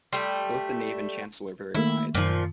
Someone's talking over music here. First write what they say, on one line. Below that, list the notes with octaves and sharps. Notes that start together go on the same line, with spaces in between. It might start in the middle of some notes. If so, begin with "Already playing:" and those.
Both the nave and chancel are very wide.
G3 A3 C6
D#3 A3 A#3 E4
F#2 A#2 D#3 F3